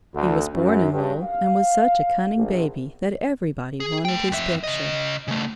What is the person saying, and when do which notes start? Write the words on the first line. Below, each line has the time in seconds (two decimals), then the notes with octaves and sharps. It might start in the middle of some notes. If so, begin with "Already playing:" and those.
He was born in Lowell and was such a cunning baby that everybody wanted his picture.
0.14 D2
0.53 F#2
0.92 G2
1.23 F5
2.37 A#1
3.80 G#4
4.05 A3 G5
4.32 F2 E5
4.64 C#3 D#5
5.28 C#3 A3